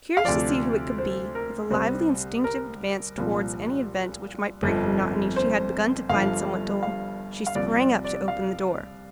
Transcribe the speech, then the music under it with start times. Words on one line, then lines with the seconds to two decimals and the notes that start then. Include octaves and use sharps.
Curious to see who it could be, with a lively instinctive advance towards any event which might break the monotony she had begun to find somewhat dull, she sprang up to open the door.
0.17 F5
0.25 D2 C3 F3 D5
0.98 C5
1.35 A#4
1.71 C2 C3 G3 C5
2.44 A#4
3.18 C2 A#2 F3
4.63 G1 F2 F3
5.36 C5
6.09 G1 G2 F3 F5
6.83 F5
7.47 F5
7.55 C2 C3 F3 D5
7.80 D5
8.04 D5
8.28 F5